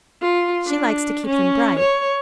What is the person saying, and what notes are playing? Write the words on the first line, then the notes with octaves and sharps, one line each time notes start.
She likes to keep them bright.
F4
D4
C#4
C#5